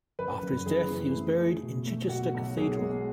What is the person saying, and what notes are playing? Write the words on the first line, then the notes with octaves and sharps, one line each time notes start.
After his death, he was buried in Chichester Cathedral.
F#1 B4
F#1
F#1 G#4
E3
A3
A3
B2
A3
B2 F#4
B1
B1 G#4
G#3